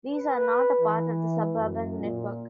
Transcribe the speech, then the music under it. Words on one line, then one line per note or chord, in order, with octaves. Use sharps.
These are not a part of the suburban network.
B4
E3
F#2
A#2